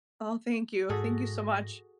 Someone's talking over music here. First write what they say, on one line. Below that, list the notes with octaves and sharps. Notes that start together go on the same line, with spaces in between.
Oh, thank you, thank you so much.
G#2 F#4 G#4 A4 A#6